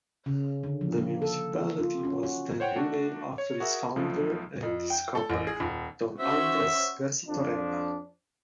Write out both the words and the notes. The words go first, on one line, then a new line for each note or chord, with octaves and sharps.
The municipality was then renamed after its founder and discoverer, Don Andres Garchitorena.
C#3
D3
F3
A#3
A4
A#3
F4
C#4
F#4
C5 C#5 F#5 G5
A3 D4 F#4
C#5
F#4 G#4 A#4 E5
B1 F3 A3
F2
G5
A4
A1
G#4
D#1
C#4 F#4 C5 E5
F2 F3 D4